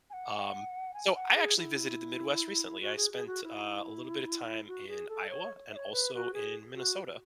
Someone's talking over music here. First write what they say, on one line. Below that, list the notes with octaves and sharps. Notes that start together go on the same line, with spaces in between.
Um, so I actually visited the Midwest recently. I spent, uh, a little bit of time in Iowa and also in Minnesota,
G#5
F#5
G#5
F#5
G#4
E4
F#4
G#4
G#4
F#4
E4
F#4
G#4
A4
C#5
E5
C#5
B4
F#4
G#4
F#4